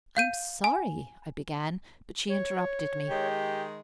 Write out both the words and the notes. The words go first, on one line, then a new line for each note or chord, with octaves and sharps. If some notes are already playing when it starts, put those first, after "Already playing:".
"I am sorry," I began, but she interrupted me.
F5 G6 D#7
G#5
C#5
D#3 G#3 G4